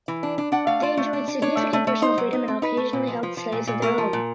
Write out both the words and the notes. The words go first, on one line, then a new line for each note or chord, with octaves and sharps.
They enjoyed significant personal freedom and occasionally held slaves of their own.
E3
D4
D4
D4 F#5
A3 F5
F4 D5
A3
D4
D4
D4 C#5
A3
A3
A3
D#4 C5
F#3
D#4
C4
D#4 B4
A3
A#2
F3
F3
F3
A#2
A#2
A3 A#4
F3
A#2